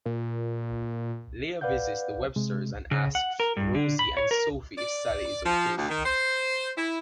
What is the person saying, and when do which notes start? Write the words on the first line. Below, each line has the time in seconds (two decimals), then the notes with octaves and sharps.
Leah visits the Websters and asks Rosie and Sophie if Sally is okay.
0.06 A#2
1.61 B4 D5 F5 F#5 G6
2.36 C3 G#3
2.91 C#3
3.15 F#5
3.40 A#4
3.57 G2
3.75 D3
3.99 B5
4.17 C#5
4.31 A#4
4.78 D5
5.45 F3
5.77 D2
5.89 D#3
6.04 C5
6.76 E4